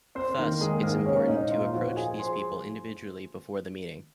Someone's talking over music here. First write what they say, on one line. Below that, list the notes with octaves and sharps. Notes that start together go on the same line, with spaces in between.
Thus, it's important to approach these people individually before the meeting.
C4 C5
D#3 A#3 A#4
G#3 G#4
G#2 A#3 A#4
C#4 C#5
F5
A#2 D#4 D#5
F4 F5
F5
F3 F#4 F#5
G#4 G#5
C5 C6